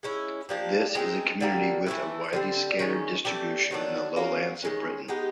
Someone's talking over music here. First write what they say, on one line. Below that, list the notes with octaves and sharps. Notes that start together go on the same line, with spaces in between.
This is a community with a widely scattered distribution in the lowlands of Britain.
G#3 C#4 E4
F3 A#3 D4 G4
G#3 C4 D#4
D3 G3 A#3
E3 A3 C#4 E4
D3 G3 C4
D#3 G#3 C#4
E3 A3 D4 G4
D#3 F#3 A3 D4
F#3 A#3 C#4
D#3 G#3 C#4
G#3 B3 D#4 G4